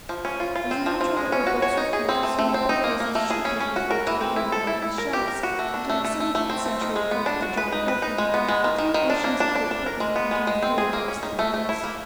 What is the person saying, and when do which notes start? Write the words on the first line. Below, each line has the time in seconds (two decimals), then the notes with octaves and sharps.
It was natural that where books were few, small bookcases should be preferred to a room lined with shelves; and in the seventeenth century, according to John Evelyn, the "three nations of Great Britain" contained fewer books than Paris.
0.09 F3
0.25 C#4
0.40 F4
0.56 F4
0.71 C4
0.86 F3
1.01 F3
1.17 G#3
1.32 C#4
1.47 F#4
1.62 C#5
1.77 D#4
1.93 G#4
2.09 C4
2.23 A3
2.39 A3
2.54 C4
2.69 D#4
2.84 A#3
3.00 A#3
3.15 A3
3.30 G#4
3.45 C#4
3.60 C#4
3.76 F#4
3.91 A#4
4.07 E3
4.21 C4
4.36 E4
4.52 A4
4.67 E4
4.82 E4
4.98 A#4
5.13 G4
5.28 A#4
5.43 F#4
5.59 A3
5.74 D4
5.89 A3
6.05 A3
6.20 A3
6.35 A3
6.50 C4
6.66 A3
6.81 D#3
6.96 G#3
7.11 B3
7.26 D4
7.42 F#4
7.57 B4
7.72 D#4
7.88 B4
8.02 D#4
8.18 G#3
8.34 B3
8.49 G#3
8.64 D#3
8.78 D#3
8.94 D#3
9.10 D4
9.24 A#3
9.40 D4
9.55 D4
9.71 D4
9.86 A#4
10.00 G#3
10.16 B3
10.31 G#3
10.47 G#3
10.63 C4
10.78 G#4
10.93 A#3
11.08 C#4
11.23 D#3
11.39 A3
11.54 A3
11.69 E4
11.84 A#3